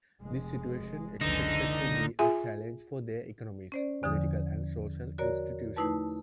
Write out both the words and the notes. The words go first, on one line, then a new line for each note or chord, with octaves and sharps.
This situation expected to be a challenge for their economies, political and social institutions.
F1 G#3
F#1 C#2 D3 E3 D#4
F4 G#4 E5 G#5
C#4 C5 D5
E2 D3 F3 D#6
F#4 A#4 C#5 D5 A#5
A3 D#4 E4 B4 A5